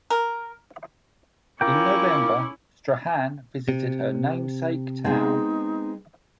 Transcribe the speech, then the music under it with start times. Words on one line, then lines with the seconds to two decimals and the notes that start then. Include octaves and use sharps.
In November, "Strahan" visited her namesake town.
0.10 A#4
1.61 C#4 E4 F4 A#4 G5 D6
3.69 C3
5.04 G#3 B3 C4 D#4